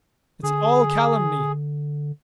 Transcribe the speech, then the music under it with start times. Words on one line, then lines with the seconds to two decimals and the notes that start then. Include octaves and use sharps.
It's all calumny!
0.43 D3 G#4